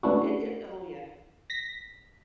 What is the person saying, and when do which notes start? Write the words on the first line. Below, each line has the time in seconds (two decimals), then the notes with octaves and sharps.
It it Oh, yeah.
0.03 A3 B3 C#4 D4 E4 F#4
1.50 A#6 B6